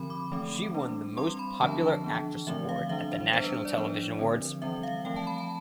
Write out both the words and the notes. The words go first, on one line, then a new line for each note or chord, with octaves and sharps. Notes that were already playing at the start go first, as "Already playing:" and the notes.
She won the "Most Popular Actress" award at the National Television Awards.
Already playing: D3 F3 C4 B5
D6
E3 A3 C4
G3 D4
G3 C4 C6
B5
D3 F3 B3 D4 A5
E3 B3 D4
D3 F3 A3 C4 E5
F5
E3 G3 D4 E5
C5
G3 B3 D4 C5
B4
C5
D5
F3 B3 D4
D3 F3 C4
E3 G3 C4 E5
F5
F3 A3 C4 G5
A5
B5
A5